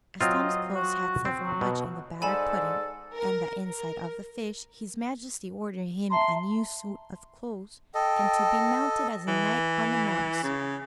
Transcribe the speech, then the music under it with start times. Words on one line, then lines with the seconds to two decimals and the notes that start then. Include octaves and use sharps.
As Tom's clothes had suffered much in the batter-pudding and the inside of the fish, his majesty ordered him a new suit of clothes and to be mounted as a knight on a mouse.
0.21 F#3 C4 F4 D#5
0.75 F#4
1.25 C4
1.43 F#3
1.61 B2
2.22 G#2 A4 D5 G#5 B5 E7
3.15 A#4
3.70 A#4
6.10 E5 A5 A#5 C6
7.95 A4 D#5 G5
9.28 E3
10.43 C#3